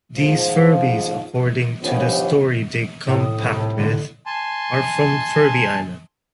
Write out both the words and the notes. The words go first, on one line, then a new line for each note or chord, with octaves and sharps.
These Furbies, according to the story they come packed with, are from Furby Island.
G#2 F3
A#1 D#2 F3 B3 C#4 G4
A2
D#6
C2
A2
D3
G#5 A5 C6